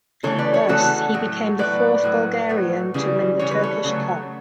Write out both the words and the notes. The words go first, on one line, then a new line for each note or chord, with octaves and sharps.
Thus, he became the fourth Bulgarian to win the Turkish Cup.
C#3 E3 A3 A4 C#5
B4 D5
A4 C#5
C#3 E3 A3 F#4 A4
A2 F#3 A3
A2 F#3 A3 B4 D5
A2 F#3 A3
A2 F#3 A3
C#3 E3 G3
C#3 E3 G3 C#5
B4
A4 C#5
C#3 F#3 A3